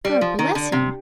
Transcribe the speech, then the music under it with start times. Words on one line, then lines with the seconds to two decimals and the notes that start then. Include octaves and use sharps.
God bless him!
0.05 G3
0.21 F3
0.39 D#3
0.55 D3
0.72 C3